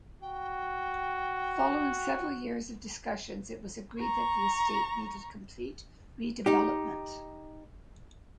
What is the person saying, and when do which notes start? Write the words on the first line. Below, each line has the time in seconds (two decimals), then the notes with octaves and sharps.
Following several years of discussions, it was agreed that the estate needed complete redevelopment.
0.22 F#4 G5
4.00 A#5 C#6
6.46 D#4 G4